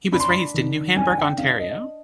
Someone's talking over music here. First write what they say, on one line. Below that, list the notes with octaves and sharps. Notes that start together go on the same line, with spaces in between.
He was raised in New Hamburg, Ontario.
D4 B5
C6
B5
D#3
D4 G#5
G#5
G5
D4 F5
D#5